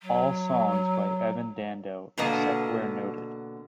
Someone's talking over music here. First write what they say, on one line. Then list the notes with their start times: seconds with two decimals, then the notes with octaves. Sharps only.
All songs by Evan Dando except where noted.
0.01 F#3
2.18 B2 D3 A#3 D#5